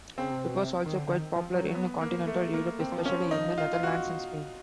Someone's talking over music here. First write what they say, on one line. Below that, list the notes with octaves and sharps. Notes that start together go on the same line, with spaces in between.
It was also quite popular in continental Europe, especially in the Netherlands and Spain.
C#3 C4
C3
B2
C3
D#3
D3
D3
D#3
F3
F#3
B3
A#3
A3
A#3
C4
F3
C#4
D#4
F4
F4
F#4